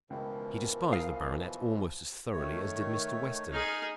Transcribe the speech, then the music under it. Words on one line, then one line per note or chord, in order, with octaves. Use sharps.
He despised the Baronet almost as thoroughly as did Mr. Western.
C#2 B2 E3 F3 A#4
F5 D#6
D#3 A3 C#5
D#4 G#4 F6